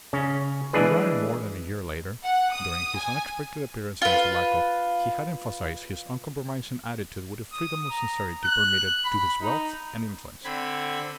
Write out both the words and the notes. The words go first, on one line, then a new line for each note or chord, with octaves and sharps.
And rather more than a year later, during his unexpected appearance in Sulaco, he had emphasized his uncompromising attitude with a freedom of sincerity permitted to his wealth and influence.
C#3 C#4
E3 G#3 D4 G#4 B4
F#5
D#6
G#5
F4 B4
D#6
A#5
F#6
B5
D#4
D3 C4 B5 G#6